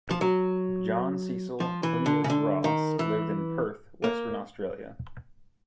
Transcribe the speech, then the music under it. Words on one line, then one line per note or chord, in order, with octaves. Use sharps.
John Cecil Clunies-Ross lived in Perth, Western Australia.
F3
F#3
F3
E3
D3
C#3
D3
D#3
E3
A#3